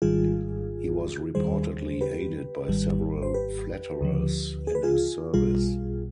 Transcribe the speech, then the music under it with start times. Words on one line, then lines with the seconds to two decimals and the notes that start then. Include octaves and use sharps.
He was reportedly aided by several flatterers in his service.
0.02 G#1 G#2 D#3 G3 F4 G#4
1.35 D#2 D#3 G3 G#4 C5
2.01 G4 B4
2.68 G#1 G#2 D#3 G3
3.22 C5
3.34 G4 B4
4.01 D2 D3 F3
4.67 G#4
4.75 B4
4.83 F4 G#4
5.34 B1 B2 G3 F4 G#4